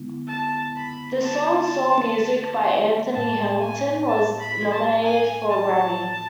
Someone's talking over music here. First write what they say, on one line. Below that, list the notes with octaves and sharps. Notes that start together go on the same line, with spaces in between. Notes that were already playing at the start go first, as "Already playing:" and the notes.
The song "Soul Music" by Anthony Hamilton was nominated for a Grammy.
Already playing: D3 G#3 B3 E4
A5
B5
A5
A2 G#3 B3 A5
G#5
A5
B5
A5
G#5
A5